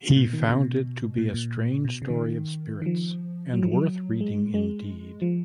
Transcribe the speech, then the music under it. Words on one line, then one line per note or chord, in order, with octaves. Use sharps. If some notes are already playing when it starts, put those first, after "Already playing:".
He found it to be "a strange story of spirits and worth reading indeed".
A#2
B2
D#3
C#3
B2
A#2
A#2
B2
C#3
D#3
D#3
F3
F#3
F3
F#3
G#3
G#3
F3